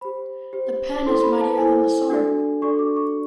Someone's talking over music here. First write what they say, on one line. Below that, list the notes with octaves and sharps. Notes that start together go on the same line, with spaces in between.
The pen is mightier than the sword.
G4 C5 B5
G4 C5
E4 A4 C5 C6
B5
A#5
A5
E4 A4 C5 G#5
D4 F#4 A4 D5
D4 F#4 A4 D5 C#6
D6
C#6